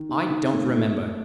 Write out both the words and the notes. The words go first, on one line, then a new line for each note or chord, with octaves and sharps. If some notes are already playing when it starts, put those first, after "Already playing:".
I don't remember....
Already playing: D#3
D#4
D#3
A3
A3
A3